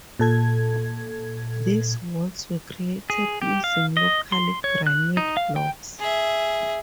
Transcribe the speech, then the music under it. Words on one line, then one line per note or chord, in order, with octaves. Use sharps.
These walls were created using local granite blocks.
A#2 A4 G#6
G#4
G4
F5
D#5
C6
C#5
F#6
D#4
F5
G5
G#4 E5